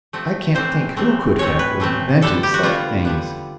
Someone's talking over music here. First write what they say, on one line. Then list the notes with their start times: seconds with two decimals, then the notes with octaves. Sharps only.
I can't think who could have invented such things.
0.13 C3 F3 A3 C4
0.55 A2 E3 A3 C4 C5
0.96 A2 E3 A3 C4
1.38 A2 E3 A3 C4 C#5
1.59 B4
1.80 A2 E3 A3 C4
2.22 D3 G3 B3 A4
2.43 G4
2.54 F#4
2.63 D3 G3 B3 F4
3.05 D3 G3 B3